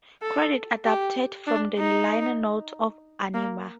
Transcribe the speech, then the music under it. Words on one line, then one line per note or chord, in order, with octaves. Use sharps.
Credits adapted from the liner notes of "Anima".
A4
G4
D4
D#4
A#3